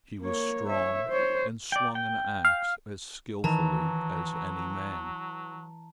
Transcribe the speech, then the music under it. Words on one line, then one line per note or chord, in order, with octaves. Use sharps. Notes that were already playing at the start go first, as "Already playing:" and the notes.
She was strong and swung an ax as skillfully as any man.
A#3 C#5
C#5 E5
C5 C#5
D5 G5
G5
F5
D#3 E3 F#3 A5 A#5